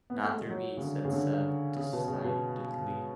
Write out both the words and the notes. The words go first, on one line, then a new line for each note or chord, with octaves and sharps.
"Not through me," said Seb decidedly.
B3
A3
G#3
F#3
C#3
D3
C#3
D3
C#3
B2
C#3
B2